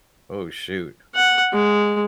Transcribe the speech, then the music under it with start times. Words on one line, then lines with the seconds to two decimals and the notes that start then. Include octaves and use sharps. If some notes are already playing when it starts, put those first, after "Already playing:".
oh, shoot.
1.15 F#5
1.53 G#3